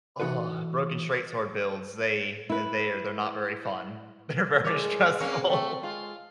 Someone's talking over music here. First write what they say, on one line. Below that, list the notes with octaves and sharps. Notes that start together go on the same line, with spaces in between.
Ugh, Broken Straight Sword builds. They they are they're not very fun. They're very stressful.
E3 D#4 F#4 A4 B4
E4 B4
A2 C#3 G#3 G#4 A#4 C#5 A5 D6
A#3 C4 C#4 C#5
A3 G5 C#6
G#3 F4